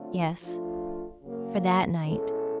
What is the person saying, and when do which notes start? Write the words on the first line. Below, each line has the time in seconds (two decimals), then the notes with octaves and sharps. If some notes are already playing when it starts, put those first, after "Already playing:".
Yes, for that night.
Already playing: D3 F#3 A3 C4 F4
0.41 F3 A3 D4 F4
1.22 C#3 F#3 A#3
2.04 B2 G#3 C#4 E4 A4